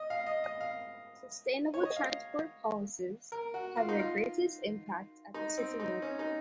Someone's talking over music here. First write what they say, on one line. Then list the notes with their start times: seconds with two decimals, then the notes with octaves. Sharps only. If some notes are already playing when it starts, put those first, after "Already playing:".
Sustainable transport policies have their greatest impact at the city level.
Already playing: D#5
0.10 F5
0.27 D#5
0.44 D#5
0.60 F5
1.74 C#5
1.85 D#5
1.96 F5
3.32 A#4
3.54 F#4
3.77 F4
3.89 D#4
3.99 F4
5.34 D#4
5.58 C4
5.80 D#4
6.02 C#4
6.19 D#4